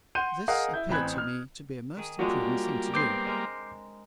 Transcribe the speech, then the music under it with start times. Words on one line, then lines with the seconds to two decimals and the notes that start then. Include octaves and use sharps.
This appeared to me to be a most imprudent thing to do.
0.15 F#5 C6 G6 D#7
0.48 G#4 A#4 D#5 F5 F#5 D#6
0.73 E4 G6
0.89 A1 C4 G#5 B5 F#6 G#6
1.18 F6
1.97 D#3 G#4
2.19 G3 G#3 A#3 D4 F4 F#4 C#5
2.94 B3 C4 D6 G6 C7
3.26 G#3 A#4 A#5